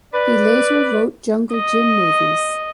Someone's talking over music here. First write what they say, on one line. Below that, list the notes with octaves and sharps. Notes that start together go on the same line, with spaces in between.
He later wrote Jungle Jim movies.
B4 D5
D#5